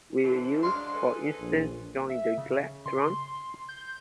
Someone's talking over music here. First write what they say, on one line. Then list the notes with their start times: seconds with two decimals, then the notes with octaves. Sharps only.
Will you, for instance, join the glad throng?
0.24 D3 E3 C5
0.63 F#3 G#3 D4 F5 C6
0.94 G#4 A4 B4
1.40 A#1
2.09 E5
2.38 C#3
2.86 C6
3.69 G6